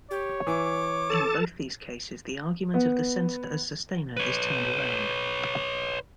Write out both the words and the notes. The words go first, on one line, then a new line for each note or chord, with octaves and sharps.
In both these cases the argument of the centre as sustainer is turned around.
G4 C#5
E3 D6
A4 A5
B3
B4 C#5